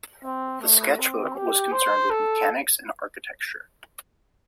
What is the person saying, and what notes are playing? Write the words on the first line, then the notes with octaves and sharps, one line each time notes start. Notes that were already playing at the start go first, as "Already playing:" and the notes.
The sketchbook was concerned with mechanics and architecture.
C4
A3
C4
G4
C5
A4